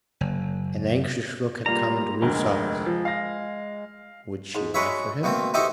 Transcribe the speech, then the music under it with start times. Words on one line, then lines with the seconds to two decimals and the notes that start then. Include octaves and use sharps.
An anxious look had come into Rufe's eyes--would she lie for him?
0.21 F#1
1.66 G3 A#3 F4 A#5
2.22 F1 D2 G#3 A#4
2.86 F3
3.05 F5 A#6
4.55 G#2
4.74 G#3 F#4 B4 C#5 E5
5.23 B2 A3 A#3 C4
5.54 D#4 E4 F#4 G4 A4 C5